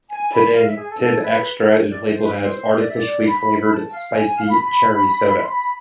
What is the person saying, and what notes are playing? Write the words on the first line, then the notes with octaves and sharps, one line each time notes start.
Today Pibb Xtra is labeled as "artificially flavored spicy cherry soda".
G#5
B5
F5
E5
G#4
A4
A4
B4
D5
C5
B4
C5
D5
E5
D5
B5
A5
F5
G#5
G#5
F5
B5
B5
C6
B5